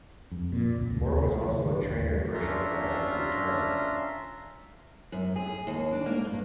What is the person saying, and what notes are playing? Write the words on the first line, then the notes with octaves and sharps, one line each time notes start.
Moore was also a trainer for a short time after retirement.
F2
A#2
C#2
D#2
C2
E3
D3
A1
D#2
C#4 D4 F4 E5 A#5 C6
F#2
G#4
D#2
D4
A#3
G2